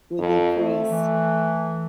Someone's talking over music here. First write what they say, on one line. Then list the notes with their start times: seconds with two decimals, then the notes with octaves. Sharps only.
would decrease.
0.19 F2
0.58 A3
0.91 E3